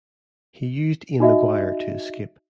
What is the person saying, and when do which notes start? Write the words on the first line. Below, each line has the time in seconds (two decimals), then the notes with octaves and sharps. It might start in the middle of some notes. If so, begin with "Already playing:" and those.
He used Ian McGuire to escape.
1.20 D#4 F#4 D#5 E5